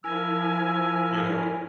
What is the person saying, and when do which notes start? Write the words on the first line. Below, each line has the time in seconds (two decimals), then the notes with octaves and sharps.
you know,
0.04 F3 E4 A#4 G#5 E6